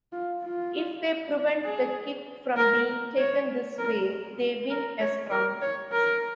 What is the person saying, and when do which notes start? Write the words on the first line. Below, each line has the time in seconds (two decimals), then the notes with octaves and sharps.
If they prevent the kick from being taken this way, they win a scrum.
0.12 F4
0.43 F4
1.64 G#4
2.57 A#4
3.18 C#5
3.78 A#4
4.70 A#4
5.00 C#5
5.31 A#4
5.62 C#5
5.92 A#4